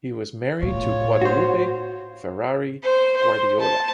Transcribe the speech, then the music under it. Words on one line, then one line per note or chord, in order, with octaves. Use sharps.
He was married to Guadalupe Ferrari Guardiola.
A2 F4 C#5
F#4 C5
C5
C5
A5